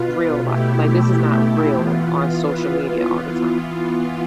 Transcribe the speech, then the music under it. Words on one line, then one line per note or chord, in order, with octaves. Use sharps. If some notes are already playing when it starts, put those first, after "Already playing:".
real li like, this is not real on social media all the time."
Already playing: B2 B3 F4
B2 A3 E4 G4
E3 B3 F4